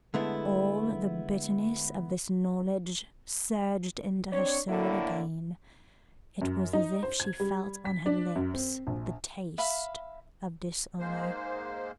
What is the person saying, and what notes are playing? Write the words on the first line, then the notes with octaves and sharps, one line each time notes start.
All the bitterness of this knowledge surged into her soul again; it was as if she felt on her lips the taste of dishonour.
D3 G#3 A3 B3 E4
C4 D4 C#5
A2 D3 A#3 E4
F#2
D#4
C5
G#6
G3
B6
D4
F#2
C4
A#1
E5 F5 B5
G#2 G#3 A#3 C5